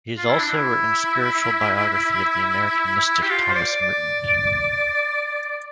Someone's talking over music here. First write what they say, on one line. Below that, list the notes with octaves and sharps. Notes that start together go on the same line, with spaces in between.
He has also written spiritual biography of the American mystic Thomas Merton.
F4
E4
D4
E4
G4
F4
C5
D5
D5